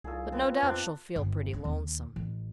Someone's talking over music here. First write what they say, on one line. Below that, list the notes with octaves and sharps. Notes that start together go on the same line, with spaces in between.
But no doubt she'll feel pretty lonesome.
C2 D#4 F4 G#4 A4 C#5
B3 C4 A5
F2 C4 D4 A4
G1
C4
D#2
A1